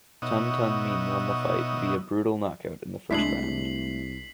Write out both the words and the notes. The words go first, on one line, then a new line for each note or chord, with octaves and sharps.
Tun Tun Min won the fight via brutal knockout in the first round.
B2 D#4 C#5 D#5 E5 F#5
C2 G#3 A3 D4 E4 B6 C7 F#7